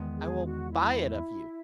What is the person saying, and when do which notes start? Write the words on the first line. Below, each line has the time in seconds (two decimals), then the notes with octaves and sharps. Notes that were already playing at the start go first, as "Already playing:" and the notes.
"I will buy it of you."
Already playing: E2 D#3 G#3 B3
0.17 G#4
0.45 F#4
0.71 E4